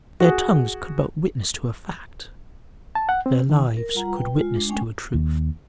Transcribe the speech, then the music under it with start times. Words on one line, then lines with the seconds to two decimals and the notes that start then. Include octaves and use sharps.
Their tongues could but witness to a fact; their lives could witness to a truth.
0.20 F#4 G#4
2.95 A5
3.09 F#5
3.26 C4
3.49 D#3
3.77 A#4
3.95 G3 F4 F#5 A#5
4.12 B4 G5
4.36 G#3 F4
4.57 G#3 D4
4.69 G#3 A3 C#4 G5 G#5
5.14 D#2